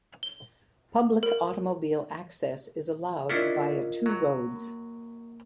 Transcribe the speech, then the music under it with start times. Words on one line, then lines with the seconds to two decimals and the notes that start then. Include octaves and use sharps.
Public automobile access is allowed via two roads.
0.23 G7
1.23 A#4
3.29 C#4 D4 E4 F4 A#4 D#5
4.06 F#3
4.51 A#3